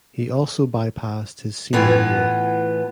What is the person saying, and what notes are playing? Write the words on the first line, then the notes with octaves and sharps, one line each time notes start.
He also bypassed his senior year.
A2 E3 B3 F4